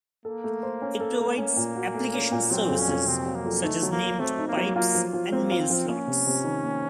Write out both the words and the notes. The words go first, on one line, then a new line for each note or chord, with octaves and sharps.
It provides application services such as named pipes and MailSlots.
A#3 A4
A3
C5
C#4
A4
A3
A#3 C#4
A#2
F#4
A3
C#4
A#2
F#3 C4
F2
C#4
F2
C3 C4
F#3
A#3
F2
A3 D#4
F#3
A#3
F#3
A3 C4
D#4
A#3
F#3
A#3 F4
F3
F3
A#3 C4
F4
C4
F3
A#3 C#4
C3
C3
D#3
A#3